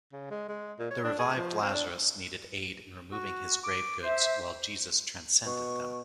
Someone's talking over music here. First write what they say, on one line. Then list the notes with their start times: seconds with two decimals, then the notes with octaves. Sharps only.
The revived Lazarus needed aid in removing his grave goods while Jesus transcended them.
0.12 C#3
0.30 G#3
0.49 G#3
0.79 A#2
0.90 C#5
1.04 D4
1.19 G#4
1.36 F3
1.62 C4
1.74 D4
3.12 F#4
3.64 D6
4.02 C5 E5
5.46 B2 C#6